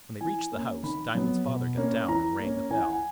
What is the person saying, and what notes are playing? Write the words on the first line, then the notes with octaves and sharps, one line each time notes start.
When they reached the house, Diamond's father got down and rang the bell.
E3 G#5
A#3 C#4
D#3 B5
F#3 B3
B2
A#3 C#4
E3 A#5
A#3 C#4
E3 G#5
F#5
G#5